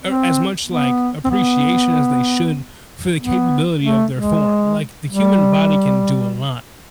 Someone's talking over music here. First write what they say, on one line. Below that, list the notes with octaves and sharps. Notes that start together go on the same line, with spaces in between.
or as much, like, appreciation as they should for the capability of their form, like the human body can do a lot,
C4
B3
C4
B3
B3
A3
G#3
G3